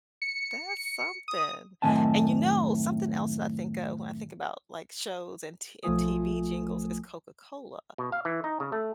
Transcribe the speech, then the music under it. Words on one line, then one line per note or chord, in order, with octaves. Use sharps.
That's something, and, you know, something else that I think of when I think about, like, shows and T and TV jingles, is Coca-Cola
C#7
D#6
F#2 A2 D#3 C4 G#5 A5
B1 F3 A3 F4 G#5 D#6
B2
F5
E3
D#4
C#3
A3